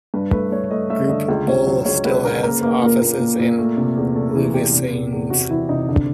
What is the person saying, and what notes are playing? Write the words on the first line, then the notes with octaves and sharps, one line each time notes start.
Groupe Bull still has offices in Louveciennes.
G2 B4
A3 B4
A3 C#5
A3 D#5
A3 E5
D3 D#5
C#2
C#2 C#5
F#3 C5
C#2 C#5
C#2 B4
C#3 A#4
A#3 A#4
B4
A#3
B4
A#2 A#4
A#2
A#2
A#2
A3
C3
E2
A3 A4
E3 G#4
E2 G4
C3
E2
E2
C3 F#4
E3 E4
C3 D#4
D3 D4